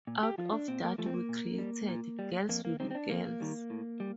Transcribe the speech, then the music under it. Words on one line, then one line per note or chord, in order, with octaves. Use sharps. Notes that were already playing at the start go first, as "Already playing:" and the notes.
Out of that we created "Girls Will Be Girls".
A#2
G4
F3 F4
D4
A#2 C4
A#3
F3 A3
C4
A#3
A#2
G3
A#2
G3
F2 A#3
A#3
D#3 G3 C4
C4
D4
F2 A#3
D#3 G3
A2
G3